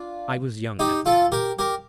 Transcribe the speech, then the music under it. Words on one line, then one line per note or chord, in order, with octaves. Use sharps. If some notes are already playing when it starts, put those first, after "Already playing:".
I was young at the time.
Already playing: D4 F4
D#4 G4
F4 A4
G4 A#4
G4 A#4